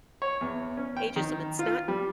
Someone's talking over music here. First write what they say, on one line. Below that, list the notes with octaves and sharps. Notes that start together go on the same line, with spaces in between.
ageism it's not
C#5
E2
C#4
G5
D#3
F4
G3